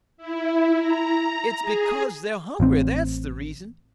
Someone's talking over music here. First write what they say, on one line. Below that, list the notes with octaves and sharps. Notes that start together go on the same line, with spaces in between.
It's because they're hungry; that's the reason.
E4
A#5
G#4
A1 C4